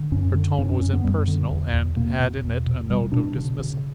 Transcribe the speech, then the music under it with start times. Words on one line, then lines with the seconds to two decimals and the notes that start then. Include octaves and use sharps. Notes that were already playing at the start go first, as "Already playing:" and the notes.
Her tone was impersonal and had in it a note of dismissal.
Already playing: D3
0.12 F#2 C#4
0.35 D3
0.58 F#2 C#4
0.70 C#4
0.82 F#2
0.93 B3
1.04 F#2 G3
1.28 D3
1.51 E2
1.74 E2
1.96 B2 A#3
2.20 B2
2.43 E2
2.67 B2
2.89 B2 G3
3.12 B2 D4
3.36 C#3
3.59 C#3